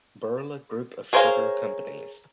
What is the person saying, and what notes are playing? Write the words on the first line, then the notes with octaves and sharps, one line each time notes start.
Birla Group of Sugar Companies.
G#4 A#4 C5 C#5 F5